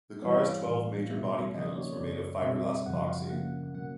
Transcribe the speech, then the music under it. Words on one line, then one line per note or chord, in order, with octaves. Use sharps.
The car's twelve major body panels were made of fibreglass-epoxy.
G2 E3 G3 B3 C#5
D5
F5
F5
A2 E3 G3 F5
B2 G3 B3 E5
C#3 F3 A#3 C#4 D#5
D5
C#5
C#5
F#2 C#3 F#3 D5
B2 G3 C4 E5
F#2 C#3 F3 F#5
F5
C#3 F3 A#3 C#4 F#5
B2 F#3 A#3 F#5